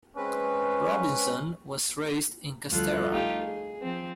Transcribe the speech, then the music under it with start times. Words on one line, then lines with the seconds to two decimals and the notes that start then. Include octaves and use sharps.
Robinson was raised in Castara.
0.17 G#3 C4 C#4 B4
2.69 D2 F3 G3 F4 A4 F#6
3.10 A3 D#4 F4 G4
3.41 G#4
3.81 F3 C4